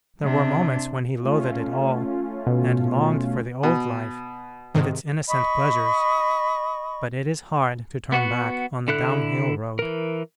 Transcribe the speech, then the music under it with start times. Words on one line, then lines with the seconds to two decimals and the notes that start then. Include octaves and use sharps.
There were moments when he loathed it all, and longed for the old life, with its innocent pleasures; but it is hard to turn back on the downhill road.
0.23 C3 D4
1.21 A3 C#4 F4
2.47 B2
3.63 B2
4.75 G#2 C3 D#3
5.27 D#5 B5 C#6
8.12 B3 F#4 F#5
8.88 D3 E4 A4 F#6
9.79 E3 A#4